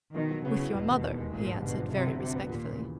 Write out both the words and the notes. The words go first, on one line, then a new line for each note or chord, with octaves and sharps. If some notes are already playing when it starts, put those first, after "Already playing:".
"With your mother," he answered very respectfully.
B2 D#3
F#3
C#3 B3
E4
E1 B2
D#2
D#3
G#3
G#1 A#2
G2
B2 D3
F3
G2 C3
D3
C3 F#3
B3
D#2 A#2
C#3
E3